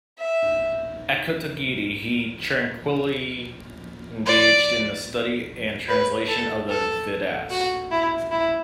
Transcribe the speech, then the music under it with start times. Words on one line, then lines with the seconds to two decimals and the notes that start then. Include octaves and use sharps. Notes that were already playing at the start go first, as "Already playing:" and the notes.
At Kotagiri he tranquilly engaged in the study and translation of the Vedas.
0.18 E5
4.25 D5
5.88 B4
6.28 A4
6.69 A4
7.50 F#4
7.91 E4
8.31 E4